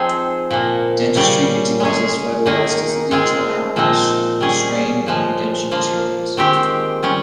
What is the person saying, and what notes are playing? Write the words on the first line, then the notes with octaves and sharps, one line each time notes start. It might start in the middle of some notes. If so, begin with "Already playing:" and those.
Dentistry utilizes photoelasticity to analyze strain in denture materials.
Already playing: F3 C4 D#4 G#4
A#2 F3 A#3
C#3 G3 C#4
G#3 C#4 G#4
D#3 A#3 D#4 G#4
G#3 C4 F4 G#4
A#2 F3 C4 D#4
G3 C#4 G#4
A#2 F3 G#3
F3 A#3 F4
D#3 G#3 C4 G4
G3 C#4 F4